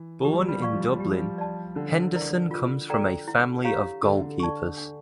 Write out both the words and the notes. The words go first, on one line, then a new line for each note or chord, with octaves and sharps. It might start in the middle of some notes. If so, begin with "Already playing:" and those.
Born in Dublin, Henderson comes from a family of goalkeepers.
Already playing: E3
F3 G4
G3
F3
G3
F3
G3 D5 F5 C#6
F3
G3
F3
G3
F3 G4
G3
F3
D5 A5
D3 C#4
E4 A#4 D5
F4
A4 D5 G5 A#5
E4
G4 C#5 F5 A#5
D3 A4
D3
D5 A5 C#6
D4